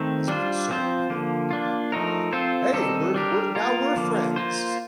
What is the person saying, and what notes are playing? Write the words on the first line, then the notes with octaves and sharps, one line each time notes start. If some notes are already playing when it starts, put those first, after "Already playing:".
has been so important, and, uh hey! We're we're now we're friends!
Already playing: D#3 A3 C4
G3 D4 F4 C5
F3 C4 F4 C5
D3 F3 A#3
A#3 D4 F4
F3 A3 D#4 A#4
C4 F4 A4 C5
D#3 G3 C4 D#4 A4
G3 D4 G4 A#4
A#3 F4 A#4
D3 F3 A#3
A#3 F4 C5